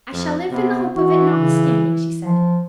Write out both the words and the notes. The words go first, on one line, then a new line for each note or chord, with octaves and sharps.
"I shall live in the hope of it, notwithstanding," she said.
F2
C3 B3
E3 F#4
C#3
F3